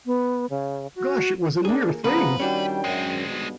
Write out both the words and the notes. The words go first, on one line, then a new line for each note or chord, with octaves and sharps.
Gosh, it was a near thing!
B3
C#3
F#4
A#3 D4 G#4
A1 C#3 F3 B3 B4 A#5
D#3 G3 C#4 D4 F#4 G5
F#2 G#3 C4
B1 G2 B2